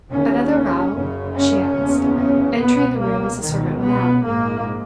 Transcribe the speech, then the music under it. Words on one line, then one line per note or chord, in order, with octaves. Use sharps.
Another row?' she asked, entering the room as the servant went out.
D#2 C#3 C#4
F#1 F#2 C#3
C#4
F#1 E2 C#3
C#4
C#2 B2 B3
A#3
C#2 B2 D#3
B3
A#1 G#2 A#3